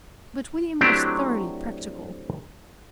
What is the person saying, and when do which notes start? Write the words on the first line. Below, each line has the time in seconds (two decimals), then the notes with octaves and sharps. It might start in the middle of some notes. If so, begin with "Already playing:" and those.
But William was thoroughly practical.
0.81 F#3 A3 C4 D4 E4 G4